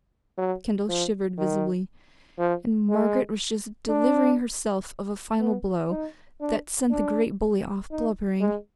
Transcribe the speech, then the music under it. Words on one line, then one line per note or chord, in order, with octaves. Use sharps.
Kendall shivered visibly--"and Margaret was just delivering herself of a final blow that sent the great bully off blubbering."
F#3
F3
D#3
F3
G#3
D4
B3
D#4
D4
D4
D#4
G#3